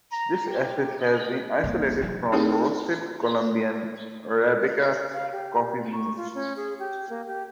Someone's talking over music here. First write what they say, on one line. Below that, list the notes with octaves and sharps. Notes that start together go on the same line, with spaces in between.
This acid has been isolated from roasted Colombian arabica coffee beans.
A#5
G4
D#5
F1 C2 A#3
E1 G2 F#3
C4 D#4 E4 G4 G#4 A#4
F5
G4
C#6
F4
C#4
G#4
G4
A#3
G4